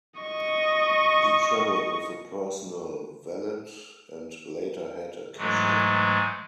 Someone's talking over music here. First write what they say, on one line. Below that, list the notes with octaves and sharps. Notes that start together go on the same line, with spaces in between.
He travelled with a personal valet and later had a cashier.
D#5 C#6
G#2 E3 F#3 G#3 A3